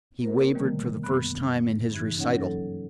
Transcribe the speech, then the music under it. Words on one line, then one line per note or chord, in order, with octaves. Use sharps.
He wavered for the first time in his recital.
A#3 F#4 A#4 C5
B2 D3 D#3 G3 A3 A#3
F#2 B3 B5 F#6
G2 C#3 E3 D#4 F#6 G#6
A#3 C#4 D#4 C#5 F#5
F#3 A4